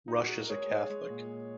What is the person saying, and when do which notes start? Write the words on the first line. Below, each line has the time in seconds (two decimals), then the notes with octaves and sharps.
Rush is a Catholic.
0.08 D#4
0.19 F#4
0.28 G#4
0.40 A#4
0.49 G#3 G#4 C#5
0.70 G#3
0.90 G#3
1.10 A#2